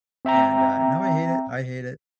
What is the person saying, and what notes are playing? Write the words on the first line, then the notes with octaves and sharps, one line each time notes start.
And, uh, now I hate it, I hate it.
C4 E5 G5 A#5